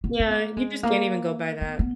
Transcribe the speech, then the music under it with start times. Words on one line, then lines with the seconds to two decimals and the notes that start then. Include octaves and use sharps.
Yeah, you just can't even go by that.
0.04 B3
0.20 B3
0.31 A#3
0.57 G#3
0.83 A#3
1.61 B3
1.79 B3